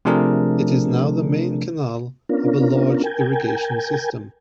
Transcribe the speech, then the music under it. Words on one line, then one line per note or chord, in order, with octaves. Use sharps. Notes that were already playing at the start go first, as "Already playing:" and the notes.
It is now the main canal of a large irrigation system.
C3 F3 A3 D4 G#4 A#4
B3 C#4 D4 F4 A#4
A#4 G5 G#5